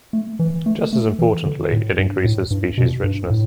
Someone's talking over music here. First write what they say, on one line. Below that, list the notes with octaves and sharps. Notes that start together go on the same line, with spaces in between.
Just as importantly, it increases species richness.
A3
E3
A3
A3
E3
D3
A2
G2
A2
G2
B2
G2
A2